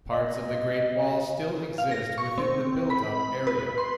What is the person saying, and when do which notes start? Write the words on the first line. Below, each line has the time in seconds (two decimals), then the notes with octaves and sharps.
Parts of the Great Wall still exist within the built-up area.
0.11 D#5
1.78 F5
1.91 A#6
2.18 C#6
2.38 C4
2.90 B5
3.47 B4
3.78 C6